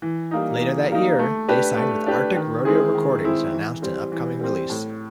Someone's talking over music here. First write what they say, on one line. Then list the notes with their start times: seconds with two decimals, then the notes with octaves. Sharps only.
Later that year, they signed with Arctic Rodeo Recordings and announced an upcoming release.
0.02 E3
0.31 G3 A#3 D#4
0.61 E3
0.90 G3 A#3 D#4
1.19 A3
1.48 D4 G4 B4
1.77 A3
2.06 D4 G4 B4
2.36 D#3
2.65 G#3 C4 E4 G#4
2.94 D#3
3.24 G#3 C4 E4 G#4
3.53 E3
3.82 G3 C4
4.12 E3
4.41 G3 C4
4.70 A2